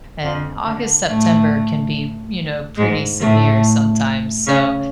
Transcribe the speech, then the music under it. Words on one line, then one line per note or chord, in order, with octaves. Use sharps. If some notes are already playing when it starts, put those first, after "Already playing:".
and August, September can be, you know, pretty severe sometimes, so,
F2 F3
D3
A2 A3
G#2 G#3
A2 A3
C#3 C#4